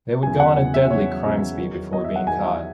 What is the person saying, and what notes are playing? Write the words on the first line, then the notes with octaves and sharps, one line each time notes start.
They would go on a deadly crime spree before being caught.
E2 C#3 F#3 G#5
F#5
E2 C#3 F#3
E5
E2 C#3 F#3 C#5
E2 C#3 F#3
E2 D#3 F#3
E2 D#3 F#3 D#5
E5
F#5
E2 D#3 F#3 G#5
E5